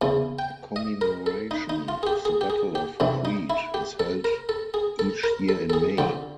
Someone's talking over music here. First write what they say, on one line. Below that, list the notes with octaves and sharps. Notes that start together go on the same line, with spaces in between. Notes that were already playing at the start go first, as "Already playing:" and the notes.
A commemoration of the Battle of Crete is held each year in May.
E2 C#3 E3
G5
D#5
A#4
A4
D#4
D#4
F4
G#4
G4
G#4
G4
G#4
G4
F2 C3 E3 D4
D#4
E4
G4
A4
A#4
A4
G#4
A4
A#4
A4
A4
G#4
F2 D3 G4